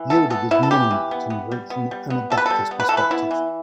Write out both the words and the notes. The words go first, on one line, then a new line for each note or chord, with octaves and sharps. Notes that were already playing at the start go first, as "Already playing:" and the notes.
Yoder was Mennonite and wrote from an Anabaptist perspective.
Already playing: E3
B3 A4
B3 A4
B3 E4
A4
E3 G4
E3
B3
B3
G3
B3
G3
B3
G3 A4
B4
G3 A4
B3
B4
E3 A4
B4
B3 E4
E3